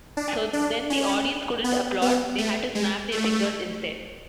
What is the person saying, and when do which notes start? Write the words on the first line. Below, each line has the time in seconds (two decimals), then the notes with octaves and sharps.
So then the audience couldn't applaud; they had to snap their fingers instead.
0.17 D4
0.53 D4
0.90 C#4
1.64 B3
2.02 B3
2.38 A3
2.75 G#3
3.12 A3